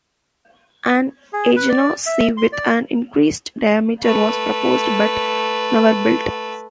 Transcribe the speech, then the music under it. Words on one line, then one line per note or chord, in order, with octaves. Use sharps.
An Agena-C with an increased diameter was proposed, but never built.
G#4
B4
D5
E5
C6
D5
A3 B4